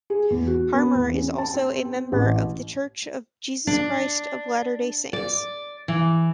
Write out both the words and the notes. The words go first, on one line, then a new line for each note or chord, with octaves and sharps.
Harmer is also a member of The Church of Jesus Christ of Latter-day Saints.
G#4
E2
F#4
B3
E2
C#4
A5
C4
C4
A1
D4
D5
E3